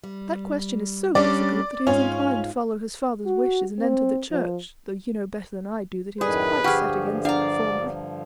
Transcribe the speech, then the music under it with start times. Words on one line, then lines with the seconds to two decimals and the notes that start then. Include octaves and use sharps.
That question is so difficult that he is inclined to follow his father's wishes and enter the Church, though you know better than I do that he was quite set against that formerly.
0.04 G3
1.15 G3 C#4 D4 D5
1.87 G#2 C#4 F4 F5
3.26 F#4
3.79 C4
4.31 F3
6.21 F#2 A2 D#3 G#4 B4 D5
6.64 G2 D3 F3 G4 G#4 F#5 C#6 F6
7.25 D4 D5 F5 F#5 A#5